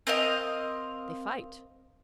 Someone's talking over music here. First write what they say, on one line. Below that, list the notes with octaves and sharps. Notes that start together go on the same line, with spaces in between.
They fight.
C4 A#4 D#5 F5